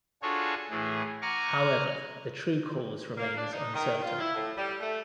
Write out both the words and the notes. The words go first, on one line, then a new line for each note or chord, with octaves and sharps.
However the true cause remains uncertain.
D4 F4 F#4 G#4 A4 C#5
A2 E3 G#4
F#5 G#5 A#5 C#6 D6 F6
A#3
D4
D#4
D#3
F4
E4
A2
G3
A3